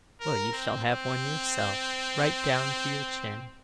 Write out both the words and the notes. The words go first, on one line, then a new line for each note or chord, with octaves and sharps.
Well, you shall have one yourself, right down to your chin.'
A#4
C4
C4